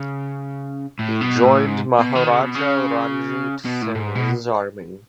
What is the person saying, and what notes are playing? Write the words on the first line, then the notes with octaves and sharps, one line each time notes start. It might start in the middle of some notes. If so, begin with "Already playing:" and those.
He joined Maharaja Ranjit Singh's army.
Already playing: C#3
A2
B2
A2
G#2
B2
D#3
C#3
B2
C#3
B2
A2
A2
G#2
B2